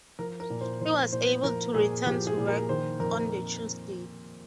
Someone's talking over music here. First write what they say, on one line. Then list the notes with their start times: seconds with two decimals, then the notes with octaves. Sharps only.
He was able to return to work on the Tuesday.
0.19 F3 A#4
0.40 A#4
0.50 A#2
0.61 C5
0.81 F3 C5
1.13 A#2 C5
1.44 F3 A#4
1.75 A#2 G#4
2.06 F3 G4
2.27 G#4
2.38 A#2
2.48 A#4
2.69 D#3 C5
3.00 F2 A#4